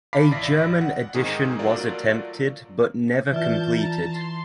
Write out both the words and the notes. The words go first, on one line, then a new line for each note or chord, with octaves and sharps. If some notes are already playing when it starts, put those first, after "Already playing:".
A German edition was attempted but never completed.
F5 A5 B5 D6 B6 C7
A1 E4 D5 A#6 B6
F#5
G#2 D#3 C4 D#4 G#4
F#3 A3 F4 A#4 D5
E3 F4 D5 E5 A5 G6
A5 A#5
C6